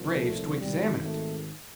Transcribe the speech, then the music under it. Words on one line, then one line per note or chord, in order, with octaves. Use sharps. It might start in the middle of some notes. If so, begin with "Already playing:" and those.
Graves to examine it.
Already playing: C2 A#2 F3
A3
G#1 G#2 D#3 G3
A3